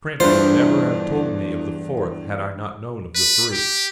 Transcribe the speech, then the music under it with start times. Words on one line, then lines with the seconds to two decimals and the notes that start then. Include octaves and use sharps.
Trench would never have told me of the fourth had I not known of the three.
0.20 E2 G2 E3 A3 D4 F4 C5
3.15 B4
3.52 G4